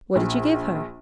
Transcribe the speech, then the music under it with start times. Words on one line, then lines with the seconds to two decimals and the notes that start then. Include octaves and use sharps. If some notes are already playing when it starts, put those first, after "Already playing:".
'What did you give her?'
0.16 A#1